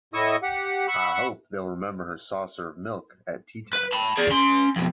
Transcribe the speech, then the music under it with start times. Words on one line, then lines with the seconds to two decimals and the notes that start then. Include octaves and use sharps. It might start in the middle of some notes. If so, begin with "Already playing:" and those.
I hope they’ll remember her saucer of milk at tea-time.
0.14 A2 E4 D#5 C#6 D#6 E6
0.42 G4 F#5
0.88 F#5 B5 C#6 E6
3.73 B4
3.92 A5 B5
4.18 G#4 D5
4.31 C#4 C6
4.76 F2 B2